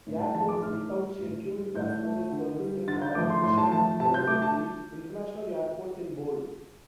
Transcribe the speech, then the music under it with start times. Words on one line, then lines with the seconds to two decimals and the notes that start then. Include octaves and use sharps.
Airports without scheduled passenger services are mentioned "cursively"; international airports in bold.
0.07 A2
0.20 A5
0.35 F3 A3 A5
0.49 D6
0.62 A2 F6
0.91 G3
1.19 A2
1.47 G3
1.74 A2 G6
2.03 A3
2.31 D3
2.59 G3
2.87 D3 A6
3.02 G6
3.15 F3 A3 D6
3.30 C6
3.44 A2 C6
3.58 A5
3.72 F3 A3 A5
4.00 C3 A5
4.14 G6
4.28 A3 D6
4.42 A5